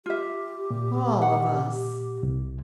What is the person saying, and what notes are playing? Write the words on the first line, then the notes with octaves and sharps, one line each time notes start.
"All of us."
F4 G4 E5
A#2
F#5
C2